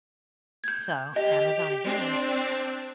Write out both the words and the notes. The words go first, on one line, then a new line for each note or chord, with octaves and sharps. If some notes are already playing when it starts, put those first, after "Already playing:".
So, Amazon again.
G6 G#6
G4 D#5
C4 D4